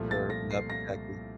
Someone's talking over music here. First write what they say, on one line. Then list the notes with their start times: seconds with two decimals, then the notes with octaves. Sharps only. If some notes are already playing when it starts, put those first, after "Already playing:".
Ter nup, exactly.
Already playing: C2 A#2 F3 A3
0.11 A6
0.30 A#6
0.51 C7
0.70 A#6